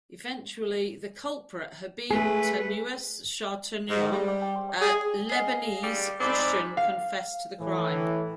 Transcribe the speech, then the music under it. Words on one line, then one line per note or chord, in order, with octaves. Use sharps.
Eventually, the culprit, Habib Tanious Shartouni, a Lebanese Christian, confessed to the crime.
A3 G#4 B4
G#2
G3
G#4
G#4 D#5 F5
G3
G#2 C4 D5 B5
F5
A2 E3